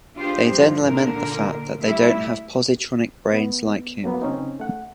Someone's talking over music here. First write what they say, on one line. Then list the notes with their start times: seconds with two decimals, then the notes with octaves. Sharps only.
They then lament the fact that they don't have positronic brains like him.
0.16 D4 F4 G4 G#4 C5
0.46 G2 F3
0.86 A#2 D3 A#4
1.80 G3 A3 E4 E5
3.32 B3
4.04 F#3 A#3 B3
4.22 C#3 C4 C#4 D#4
4.60 A3 F#5